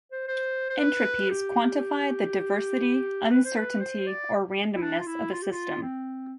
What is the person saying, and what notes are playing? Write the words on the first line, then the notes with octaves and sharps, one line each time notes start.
Entropies quantify the diversity, uncertainty, or randomness of a system.
C5
C5
C5
B4
G4
B4
C5
B4
C5
D5
E4
D4
F4
E4
F4
G4
F4
C4